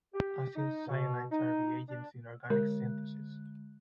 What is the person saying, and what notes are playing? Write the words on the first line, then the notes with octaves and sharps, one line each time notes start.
Acyl cyanides are reagents in organic synthesis.
G4
D#4
B2
D#4
D4
D3 G#3 A#4 F#6